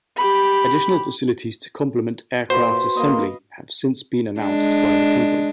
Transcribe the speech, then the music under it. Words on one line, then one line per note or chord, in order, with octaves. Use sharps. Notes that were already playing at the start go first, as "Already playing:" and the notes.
Additional facilities to complement aircraft assembly have since been announced by the company.
G4 B5
A#2 F#4 B4 C5 E5 C6
A#3 D#5 F5 D#6
G#3 D4